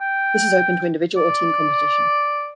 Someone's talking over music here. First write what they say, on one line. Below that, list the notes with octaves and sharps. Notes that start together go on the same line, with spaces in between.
This is open to individual or team competition.
G5
D5